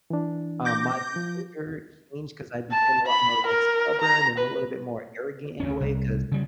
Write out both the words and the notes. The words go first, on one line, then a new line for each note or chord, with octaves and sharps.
um, my behavior changed, 'cause I became a lot more, like, stubborn, and a little bit more arrogant in a way, 'cause,
E3 D4
D6 G6 A#6
F3
A5
B5
A#4
A#5
B4
D2 C#4
C2
C#3 G3